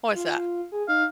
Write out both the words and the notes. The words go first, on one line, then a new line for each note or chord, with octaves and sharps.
What was that?
F4
G#4
D#4 F5